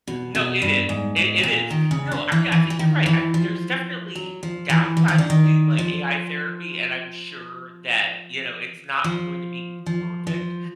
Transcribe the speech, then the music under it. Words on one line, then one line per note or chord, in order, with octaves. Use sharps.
No, it is. It it is. No, I mean, I think you're right, I'm there's definitely downsides to, like, AI therapy and I'm sure that, you know, it's not going to be perfect,
B2
B2
G2
G#2
G#2
B2
A#2
D#3
C#3
D3
E3
E3
E3
D#3
E3
F3
F#3
F3
E3
E3
D#3
D3
D#3
F3
F3
F3
F3